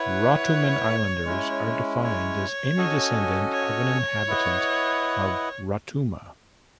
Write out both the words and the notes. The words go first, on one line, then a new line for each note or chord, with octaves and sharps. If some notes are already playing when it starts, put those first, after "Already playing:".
Rotuman Islanders are defined as any descendant of an inhabitant of Rotuma.
Already playing: E4 B4 C#5 F#5
G#3 C#4 E4
C#5
C#4 F#4 A4 D#5 G#5
C#5
E4 B4 D#5 F#5